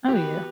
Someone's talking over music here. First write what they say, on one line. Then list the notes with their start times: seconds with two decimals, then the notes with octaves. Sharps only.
Oh, yeah.
0.09 E3 B3 F#4 G4 B4